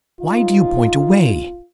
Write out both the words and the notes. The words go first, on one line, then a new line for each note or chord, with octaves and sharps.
"Why do you point away?"
C3 D#3 G3 D#4 F4